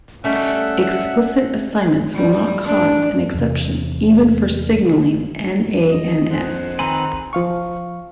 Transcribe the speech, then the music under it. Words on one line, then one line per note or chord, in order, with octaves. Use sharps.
Explicit assignments will not cause an exception even for signaling NaNs.
G3 A3 C#4 E5 F#5
G3
D4
E2 C3
A#1 F2 D3
D#5
G#3 C5 F#5
D#3 C4 B4 G#5 A#5 C6
F3 F5 C#6